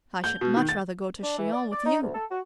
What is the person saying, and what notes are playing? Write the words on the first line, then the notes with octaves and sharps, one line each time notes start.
"I should much rather go to Chillon with you."
G6
B2
D#3
A6
D4
E3
D5
D5
D#4
D2
A4
F#4